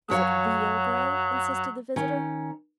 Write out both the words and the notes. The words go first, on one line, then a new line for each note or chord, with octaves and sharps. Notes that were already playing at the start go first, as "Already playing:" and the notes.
"Is it real grey?" insisted the visitor.
F#2 F#3 C#5 F5
D#3 C#4